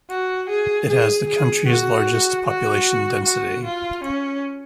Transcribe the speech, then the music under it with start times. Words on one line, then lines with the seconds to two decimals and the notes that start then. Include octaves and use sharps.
It has the country's largest population density.
0.10 F#4
0.49 G#4
0.89 G#4
1.28 G#4
1.68 F#4
2.46 F#4
3.25 F#4
3.64 F4
4.04 C#4